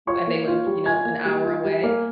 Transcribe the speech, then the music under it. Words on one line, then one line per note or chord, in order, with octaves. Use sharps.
and they lived, you know, an hour away,
F4 C#5 C#6
A#3
F4
G3
F4 G#5 G#6
A#3
G3
F4
G3
A#3